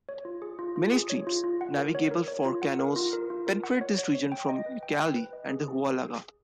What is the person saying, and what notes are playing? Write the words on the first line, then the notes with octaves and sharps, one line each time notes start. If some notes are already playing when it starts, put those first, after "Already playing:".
Many streams, navigable for canoes, penetrate this region from the Ucayali and the Huallaga.
C#5
F4
G#4
F4
F4
G#4
C#5
F4
F4
F#5
A#4
C#5
A#4
C#5
F4
F#5
A#4
F4
A#4
F4
A#4
F#5
C#5
C#5
C#5
G5
D#5
B4
G5
G5
B4
D#5
G#4
G#4